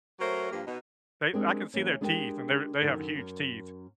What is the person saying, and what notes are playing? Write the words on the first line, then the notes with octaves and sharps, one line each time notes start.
they I can see their teeth, and they're they have huge teeth.
F#3 A3 C#4 A#4 C5
G2 F3 A#3
B2 D#4
G#3 C4 D4 G4 G#4 A#4
E3 A#3 C#4
G#3 D4 E4 G4 A#4 G5
F#2 D3 D#3 A#4
F#2 A#4